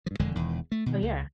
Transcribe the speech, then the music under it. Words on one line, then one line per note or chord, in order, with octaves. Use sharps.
Oh yeah.
G2 F3
E1 F2 D3 G#3
E1 E2 D#3
A3
B2 D#3
C#2